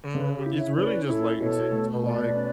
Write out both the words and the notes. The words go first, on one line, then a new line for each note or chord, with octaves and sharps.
Mm, it's really just latency so, like,
C#3 B4
G4
E4
C#5 E5
C#4 B4 D5
E4 A4 C#5
B2 A4 C#5
A3
B2 B4 D5
C#4